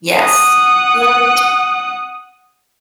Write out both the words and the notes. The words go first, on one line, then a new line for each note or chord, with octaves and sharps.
yes, love it.
F#5 D#6